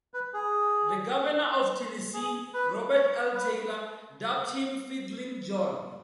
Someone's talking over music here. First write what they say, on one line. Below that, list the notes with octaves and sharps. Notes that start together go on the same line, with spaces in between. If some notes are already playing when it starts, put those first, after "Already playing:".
The governor of Tennessee, Robert L. Taylor, dubbed him "Fiddlin' John".
B4
G#4
G#4
B4
C#5
B4